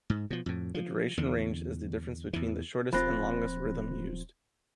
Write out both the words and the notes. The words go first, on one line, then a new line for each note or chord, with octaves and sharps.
The duration range is the difference between the shortest and longest rhythm used.
G#2
B2 F3
F2 A2
F3
E2 D3
E2 E3
D#1 F3 C4 F4 B5 F#6 A#6